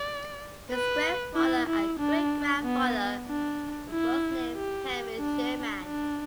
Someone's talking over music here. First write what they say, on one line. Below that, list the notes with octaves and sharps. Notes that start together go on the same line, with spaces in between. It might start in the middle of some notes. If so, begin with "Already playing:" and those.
His grandfather and great grandfather were both named Henry Sherman.
Already playing: D5
B4
E4
E4
D4
B3
D4
E4
G4
D4
D4